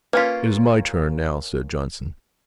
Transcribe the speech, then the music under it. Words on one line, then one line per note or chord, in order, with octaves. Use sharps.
"It is my turn now," said Johnson.
A#3 C#4 F4 B4 B6